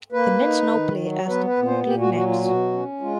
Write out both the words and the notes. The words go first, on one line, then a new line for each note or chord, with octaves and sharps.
The Nets now play as the Brooklyn Nets.
A#3 B4
D#4
D#3
F#3
B3 B4
B4
A#2
C5
A#2 G4
F#4
F#3 F#4
F4
B2 F#4
C#4
G#3 F4